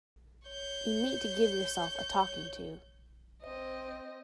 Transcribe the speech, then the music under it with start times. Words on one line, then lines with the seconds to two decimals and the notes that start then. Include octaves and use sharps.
You need to give yourself a talking to.
0.47 C#5 G6
3.42 C4 D#5